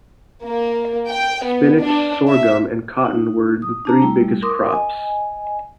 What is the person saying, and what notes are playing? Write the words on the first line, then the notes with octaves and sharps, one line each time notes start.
Spinach, sorghum, and cotton were the three biggest crops.
A#3
G5
B3
D4
E5
D#4
D#6
D4 A5 A#5
G3 A3 E4
A#4 C6 D6 D#6
D#5 G#5